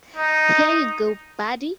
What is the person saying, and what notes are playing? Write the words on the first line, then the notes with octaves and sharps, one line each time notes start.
Here you go, buddy!
D#4